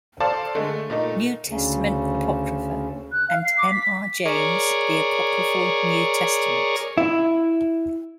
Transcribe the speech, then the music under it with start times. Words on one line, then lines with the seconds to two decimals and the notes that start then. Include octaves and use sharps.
"New Testament Apocrypha"; and M. R. James, "The Apocryphal New Testament".
0.20 A4 C5 D5 F5 A5
0.55 D3 G#3 A3
0.90 A#2 A3 D#4
1.46 D2 C#3
3.12 F#6
3.29 F5
3.45 C7
3.58 D6
3.71 B6
4.26 G#4 A#4 C#5 D5
6.98 E4